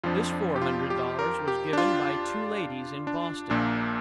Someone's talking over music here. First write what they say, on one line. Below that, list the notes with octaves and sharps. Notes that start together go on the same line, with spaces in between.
This four hundred dollars was given by two ladies in Boston.
F2 F3 D4 F4
D4
G4
F4
G4
A#4
G4
D4
F4
D4
A#1 A#2 A#3 D4